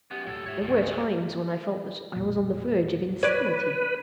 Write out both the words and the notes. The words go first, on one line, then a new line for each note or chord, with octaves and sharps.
There were times when I felt that I was on the verge of insanity.
F#2 B3 G4
D1 A2 F#3 A4
G#2 C#5 E5
G1 C#2 F#2 A2
A#2 F#3
B1 F2 A#2
B4 C#5 D5